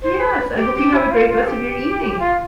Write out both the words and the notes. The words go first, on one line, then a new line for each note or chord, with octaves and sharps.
Yes. I hope you have a great rest of your evening.
C5
B4
G4
G4
E4
F4
F4
A4
G4
F4